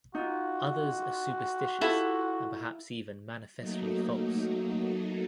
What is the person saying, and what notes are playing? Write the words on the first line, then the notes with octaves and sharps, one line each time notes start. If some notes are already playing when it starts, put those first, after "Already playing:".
Others are superstitious and perhaps even manifestly false.
D#4 F4 F#4
E4 F4 G4 A4
F#3 A3 A#3 D#4